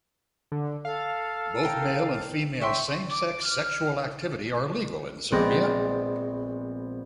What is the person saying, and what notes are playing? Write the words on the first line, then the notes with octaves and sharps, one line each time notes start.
Both male and female same-sex sexual activity are legal in Serbia.
D3
A4 F5
A#4 G5
E5 G5 C6 C#6
D6
F6
A#1 G#3 B3 C4 D5 A#6